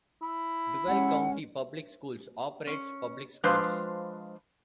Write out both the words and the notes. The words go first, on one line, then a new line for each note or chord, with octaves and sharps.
Duval County Public Schools operates public schools.
E4
G#3 C#4 F#5
C#4
F3 G#3 D4 B4 C5 F5